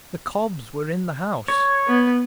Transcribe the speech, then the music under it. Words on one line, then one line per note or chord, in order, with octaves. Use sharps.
The cobs were in the house!
C#5
B3